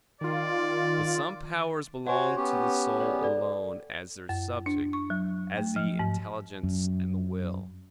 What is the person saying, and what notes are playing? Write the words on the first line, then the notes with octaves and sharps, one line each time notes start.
But some powers belong to the soul alone as their subject; as the intelligence and the will.
D#3 F4 D5
F#4 C5 C#5 F#5 G#5
B3 C#4 G4 C#6
C#5 D5
A4 D5
F#2
D4
C#6
F#3
A3
F3
G#2
F#2